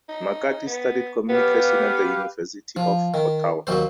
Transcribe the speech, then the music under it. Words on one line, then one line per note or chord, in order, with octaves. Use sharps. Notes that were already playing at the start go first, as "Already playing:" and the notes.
Makati studied Communication at the University of Ottawa.
D#4
B3
B3 G4 B4 F5
F3
D#3
D#2 F#3 C5